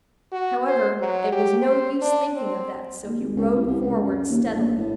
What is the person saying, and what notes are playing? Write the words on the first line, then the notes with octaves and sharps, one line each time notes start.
However, it was no use thinking of that, so he rode forward steadily.
F#4
C5
F#3
G4
C5
D4
C4
D#2
G#1
C#2
C2
C2
C#2
F#2
D#2
A1
A#1
A2